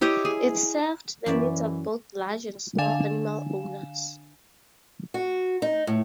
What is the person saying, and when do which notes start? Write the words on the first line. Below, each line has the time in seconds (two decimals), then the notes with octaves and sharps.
It served the needs of both large and small animal owners.
0.01 E4 G4 C#5 D#5
0.25 G#4
1.26 F#2 E3 D5 E5
2.78 D3 D4 F5 G#5 E7
5.14 F#4
5.62 D#4
5.87 A2